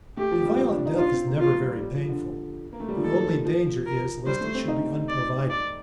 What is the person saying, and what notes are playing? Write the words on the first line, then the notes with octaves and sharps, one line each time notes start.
A violent death is never very painful; the only danger is lest it should be unprovided.
A3 G4
F3
G3
C4
D4
D#4
D4 F4
C4
A#3
F3 F4
G3
G3
F3
D3
A#3
A3
G3
F3
D#3 A4
F3
A#4
G3 C5
A3
C4
D#4
D5
D5